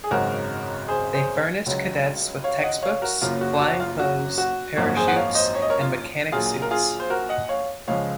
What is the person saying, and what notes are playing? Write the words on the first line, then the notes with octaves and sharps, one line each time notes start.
They furnished cadets with textbooks, flying clothes, parachutes, and mechanic suits.
G#4
G#1 F#2 C#3 G#3 F#4 A#4
G#4 C5
G#4 C5
C#2 C#3 F#3
C#5 F5
D#5 F#5
C#5 F5
F#4 A#4
F#1 F#2 C#3 F#3 A#3 F4
F#4
F#4
F4
F#4
F#4
G#1 F#2 F3 A#3 F#4
G#4 C5
F#5
C#5 F5
C5 D#5
C#5
D#5
A#4 C#5
F4
A#1 A#2 F#3 A#3 F4 G#4
A#4
F4 G#4
C5
F#4 A#4
D#5 F#5
C#5 F5
C#2 C#3 F3 G#3 C#5 F5